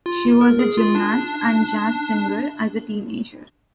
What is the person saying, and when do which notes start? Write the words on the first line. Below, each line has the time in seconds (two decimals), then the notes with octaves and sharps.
She was a gymnast and jazz singer as a teenager.
0.06 F4
0.41 A#4
0.59 G#4
0.78 F4
0.95 D4